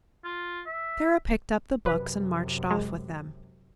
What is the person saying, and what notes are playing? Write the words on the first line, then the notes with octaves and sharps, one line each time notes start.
Sara picked up the books and marched off with them.
F4
E5
F#2 C3 B4
G#3